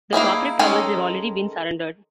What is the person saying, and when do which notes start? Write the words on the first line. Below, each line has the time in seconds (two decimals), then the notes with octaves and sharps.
The corporate powers have already been surrendered.
0.13 A#3 D#4 E4 G#4
0.59 D#3 G#3 C#4 D#4 A4